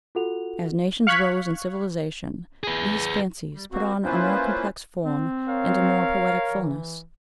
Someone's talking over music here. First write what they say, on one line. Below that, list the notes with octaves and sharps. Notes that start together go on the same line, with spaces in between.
As nations rose in civilization these fancies put on a more complex form and a more poetic fulness.
F4 F#4 A4 F#5 F7
F5 C#6 F#6 G#6 B6
G#4 B4
G3
A#3 C4 F#4
A#3 C#4 E4 F4 B4 C5
C4
A#4 C#5 F5
E3